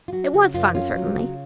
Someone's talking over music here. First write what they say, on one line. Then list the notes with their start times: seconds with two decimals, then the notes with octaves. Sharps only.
It was fun, certainly.
0.08 F4
0.12 F#3 F#4
0.33 C#3 F#4
0.54 F#2 F4
0.75 C#4 F4
0.95 F#3
1.16 C#3